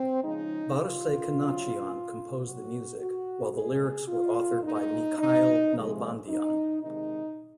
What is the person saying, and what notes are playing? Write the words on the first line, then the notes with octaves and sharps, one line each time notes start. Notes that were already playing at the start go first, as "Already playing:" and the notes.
Barsegh Kanachyan composed the music, while the lyrics were authored by Mikael Nalbandian.
Already playing: C4
C#3 F3 G#3 D#4
F4
C3 F#3
A#2 F#3 F#4
F#4
A#2 G#3 G#4
F4
A#2 G#3 D#4
D#4
C3 F3 G#3
D#4
C3 D#3 G#3 D#4